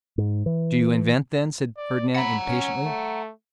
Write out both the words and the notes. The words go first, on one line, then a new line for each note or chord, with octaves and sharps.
"Do you invent, then," said Fernand impatiently.
G#2
E3
D5
F#5 A#5 B5
C#4
A3